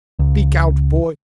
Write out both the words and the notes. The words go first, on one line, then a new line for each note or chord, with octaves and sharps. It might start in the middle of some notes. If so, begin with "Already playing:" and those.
Speak out, boy!
C#2